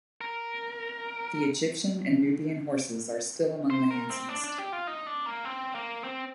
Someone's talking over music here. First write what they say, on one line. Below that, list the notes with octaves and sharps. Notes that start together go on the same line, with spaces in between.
The Egyptian and Nubian horses are still among the handsomest.
A#4
C5
A#4
C4
D4
D4
G4
F4
D#4
D4
A#3
C4
A#3
C4